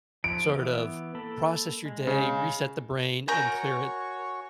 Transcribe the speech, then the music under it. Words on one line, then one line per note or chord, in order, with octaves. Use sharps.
sort of process your day, reset the brain and clear it
F3 D7
E3 B3
A#3 A4 B5
G#3
C#3
F#4 A#4 C#5 G#5 A#5 C#6 G6